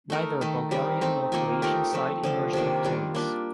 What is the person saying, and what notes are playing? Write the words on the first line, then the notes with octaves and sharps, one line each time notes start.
Neither Bulgarian nor Croatian side emerged victorious.
A3 D#4 A#4
D#3 A3 D#4
G3 C4 G4 A#4
A3 C4 D#4
D#3 A#3 F4 A#4
A3 D#4 G4 A#4
F3 A3 C4
D3 F3 A3
C3 D#3 A#3 D4
D#3 G3 D4 F4
A#3 D4 G4